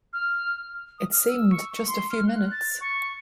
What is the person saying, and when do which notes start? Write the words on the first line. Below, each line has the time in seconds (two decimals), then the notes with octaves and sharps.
It seemed just a few minutes.
0.13 F6
0.99 D#6
1.11 F6
1.28 E6
1.51 C#6
1.70 C#6
1.87 C6
2.10 F6
2.27 F#6
2.51 A6
2.81 C#6